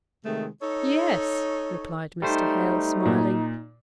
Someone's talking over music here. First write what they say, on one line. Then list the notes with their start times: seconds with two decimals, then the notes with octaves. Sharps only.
'Yes,' replied Mr. Hale, smiling.
0.25 C3 D#3 G#3 A3
0.61 D#4 A4 C#5
2.22 G3 A3 D#4 C5
3.05 A#2